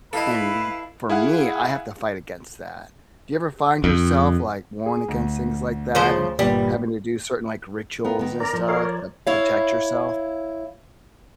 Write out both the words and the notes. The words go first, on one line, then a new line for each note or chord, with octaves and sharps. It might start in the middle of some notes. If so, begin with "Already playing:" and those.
And for me, I have to fight against that. Do you ever find yourself, like, warned against things like that and having to do certain, like, rituals and stuff to protect yourself?
E4 A4 B4 D#5 F5
E4 G#4 F5 F#5
F2
G#4
D2
C#3 F3 C5
G1 A#2 G3 B3
B3 F4 A#4
D#3 B3
A#4 D5 A#5
F3
A4 A#4 C#5 F5
C#5 D5
E4 C#5 F5